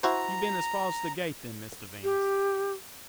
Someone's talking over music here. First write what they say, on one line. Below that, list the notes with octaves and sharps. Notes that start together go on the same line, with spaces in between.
'You've been as far as the gate then, Mr Venus?'
E4 F#4 C5 A#5
G4